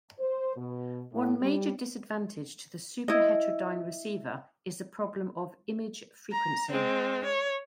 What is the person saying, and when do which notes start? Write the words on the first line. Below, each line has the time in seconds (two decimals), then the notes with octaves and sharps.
One major disadvantage to the superheterodyne receiver is the problem of "image frequency".
0.19 C5
0.57 B2
1.12 A2
1.42 G3
3.08 E4 D#5
6.31 A#5
6.72 G#3 C4
7.25 C#5